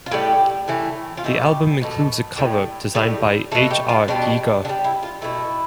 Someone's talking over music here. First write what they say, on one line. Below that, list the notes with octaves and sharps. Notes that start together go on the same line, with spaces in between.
The album includes a cover designed by H. R. Giger.
F4
A2 G3 G4
A2 E3 A3
F4
B2 A3 G4
B2 A3
A2 G3
A2 G3
B2 A3 A4
G4
F4
B2 G3 D4
D3 D4
G3
E4
F4
B2 A3 E4